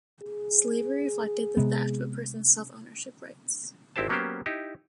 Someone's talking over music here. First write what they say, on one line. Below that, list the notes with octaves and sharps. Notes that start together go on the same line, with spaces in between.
Slavery reflected the theft of a person's self-ownership rights.
G#4
C3 G#3 B3
G#1 C4 E4 G4 C5 A5
F#3 A#3 B3 C#4 G4 C5
D#4 E4 G4